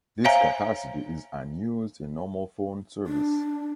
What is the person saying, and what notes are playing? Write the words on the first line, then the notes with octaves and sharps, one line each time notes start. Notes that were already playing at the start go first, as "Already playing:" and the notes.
This capacity is unused in normal phone service.
C5 C#5 E5 F5 G#5 A#5
D4